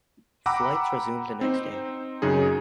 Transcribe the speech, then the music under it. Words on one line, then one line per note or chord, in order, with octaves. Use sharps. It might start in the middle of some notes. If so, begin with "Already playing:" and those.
Flights resumed the next day.
F#5 G5 A#5 B5 D6 E6
C4 D#4 C5
F#2 C#3 D#4 G#4